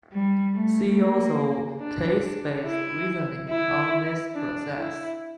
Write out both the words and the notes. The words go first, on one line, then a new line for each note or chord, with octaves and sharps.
See also case-based reasoning on this process.
G3
A3
A#3
D4
D4
E4
E4
D4
E4